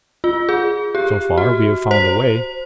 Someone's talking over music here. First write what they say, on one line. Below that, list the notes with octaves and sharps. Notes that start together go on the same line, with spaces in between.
So far we have found a way.
F4
G#4
G4
F#4
C5